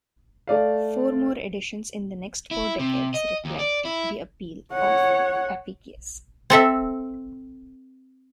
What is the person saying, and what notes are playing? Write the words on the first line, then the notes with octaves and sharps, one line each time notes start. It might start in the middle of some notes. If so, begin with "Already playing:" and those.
Four more editions in the next four decades reflect the appeal of "Apicius".
A3 D5 F5
E4
C3
D#5
D#2
D5
E4
C#5 F#5
C4 A4 E5